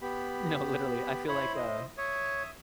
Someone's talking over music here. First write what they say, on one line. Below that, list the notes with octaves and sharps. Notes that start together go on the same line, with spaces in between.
No, literally. I feel like, uh
B3 G4 B5
E4 C5 C#5 B5
D#5
C#5 E5 D#6